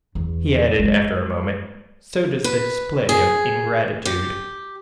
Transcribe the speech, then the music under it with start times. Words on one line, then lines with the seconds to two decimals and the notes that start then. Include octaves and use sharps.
He added after a moment: "So does the display of ingratitude."
0.15 E2
0.79 G#3 A#3
2.44 B4
3.09 G#4
4.05 G4